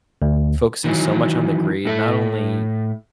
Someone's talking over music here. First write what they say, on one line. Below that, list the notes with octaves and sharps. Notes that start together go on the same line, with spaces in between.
focusing so much on the grade not only
D2
D#3 E3 F#3
A2 A4 E5